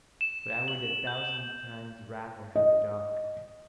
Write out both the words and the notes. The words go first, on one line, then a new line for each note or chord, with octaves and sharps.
"But I would a thousand times rather have a dog."
E7
F#7
G6
D#5